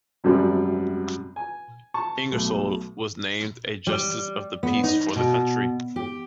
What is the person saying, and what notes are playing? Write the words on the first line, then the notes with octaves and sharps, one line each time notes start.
Ingersoll was named a justice of the peace for the county.
G#1 F#2 C3 G3 A4
G#5
A5 C#6
B1 A3
G3
B3
D#4
B2
G4